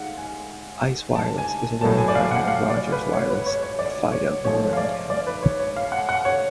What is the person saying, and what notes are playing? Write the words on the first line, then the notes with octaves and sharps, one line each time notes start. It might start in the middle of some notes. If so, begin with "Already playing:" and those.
Ice Wireless is a roaming partner of Rogers Wireless and Fido in Northern Canada.
Already playing: G#2 F5 F#5
G#5
A5
G#5
A2 F#3 A3 A5
G#5
D5
F5
F#5
F5
D5
B4
C#5
B4
C#5
C#5
D5
C#5
G#2 F3 A3 C#5
F5
D5
D5
B4
C#5
C#5
F5
F#5
F#5
C#5